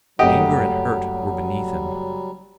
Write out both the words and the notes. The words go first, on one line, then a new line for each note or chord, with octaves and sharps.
Anger and hurt were beneath him.
F#1 F#3 G3 A3 G4 D#5 F#5 D7